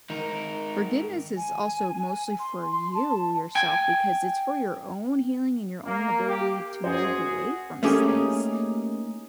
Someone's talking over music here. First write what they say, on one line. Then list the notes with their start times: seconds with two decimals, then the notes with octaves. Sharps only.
forgiveness is also mostly for you, yourself, because it's for your own healing and your own ability to move away from s things
0.10 G#2 D#3 D#4 A#4
1.37 G#5
2.40 C6
2.71 C6
2.94 A5
3.55 G5 G#5
5.86 A#3
6.28 G4
6.84 F#2 F#4 G#4 C5
7.83 A3 A#3 C#4 D#4 G4 G#4